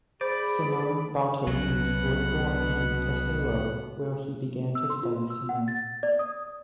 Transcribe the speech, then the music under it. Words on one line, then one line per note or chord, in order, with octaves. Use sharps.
Simone Bartolini was born in Pesaro, where he began to study singing.
G#4 C5 D5 B5
C2 B2 F#3 B3 F#5
E6
C6
F4
E6
F#5
A6
D5
D#6